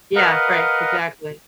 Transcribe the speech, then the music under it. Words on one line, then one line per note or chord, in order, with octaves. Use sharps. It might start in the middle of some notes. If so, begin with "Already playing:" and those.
Yeah, right, exactly.
A#4 B4 D#5 F5 F#5